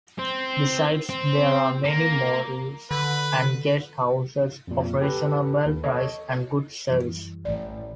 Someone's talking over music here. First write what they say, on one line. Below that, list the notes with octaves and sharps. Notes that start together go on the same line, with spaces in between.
Besides, there are many motels and guest-houses of reasonable price and good service.
C4
C4
A#3
D3 B4
F2 A#2
G4 A4 B4
D#2
A4 C#5 D#5
F#2 E3 G3
A1 D5